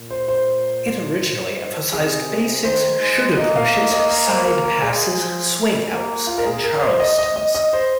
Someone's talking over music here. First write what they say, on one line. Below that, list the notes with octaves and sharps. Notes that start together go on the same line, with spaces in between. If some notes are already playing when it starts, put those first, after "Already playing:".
It originally emphasized basics, sugar pushes, side passes, swing outs, and Charlestons.
Already playing: A#2
C5
C5
G#2
C3 G#4
D#3 C5
G#3
A#3 D#5
F5
D#5
D#5
D#5
C5
A#4
A#4
G#3 G#4
F3
A#3
F4
A#4
G#4
A#4
C5
D#5
D#5
D#5
D#5
C5